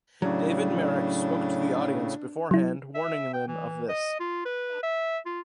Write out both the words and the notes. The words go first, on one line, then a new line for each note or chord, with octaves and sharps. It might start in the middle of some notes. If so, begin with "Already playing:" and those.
David Merrick spoke to the audience beforehand warning them of this.
A2 C#3 F#3 D4
F#3 E4
E5
G5
E3
D#5
F4
B4
E5
F4